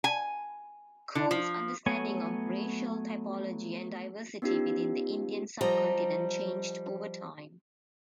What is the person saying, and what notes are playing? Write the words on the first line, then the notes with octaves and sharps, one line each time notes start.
Coon's understanding of racial typology and diversity within the Indian sub-continent changed over time.
G#5
D3
F3
F#3 A3 B3 C#5 G#5
B3 C#4 D#4 F4 G4
F3 G3 D#5 A#5